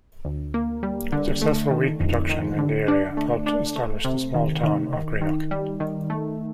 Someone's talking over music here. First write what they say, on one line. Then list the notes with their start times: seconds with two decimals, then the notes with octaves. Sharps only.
Successful wheat production in the area helped establish the small town of Greenough.
0.25 D2
0.54 A#3
0.83 G3
1.12 D3
1.42 A3
1.71 D#3
2.00 F2
2.29 D#3
2.59 D3
2.88 D4
3.17 A3
3.46 D4
3.76 A3
4.04 C3
4.34 D#3
4.63 D#3
4.93 D#3
5.21 D#3
5.51 G3
5.80 D#3
6.10 A3